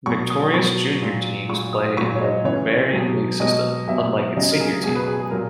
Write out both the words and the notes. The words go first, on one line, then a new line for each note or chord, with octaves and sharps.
"Viktorias" junior teams play in the Bavarian league system, unlike its senior team.
B2 F#3 C#6
D#6
B2 F#3 C#6
A#2 F#3
A#2 F#3 C#6
D#6
A#2 F#3 C#6
C#5
D#5
C#3 E3 C#5
B2 F#3
B2 F#3 D#5
B2 F#3 E5
C#3 F#3 D#5
A#4
G#4
B2 F#3 G#4
B4
G#4
G#4
A#2 F#3 A#4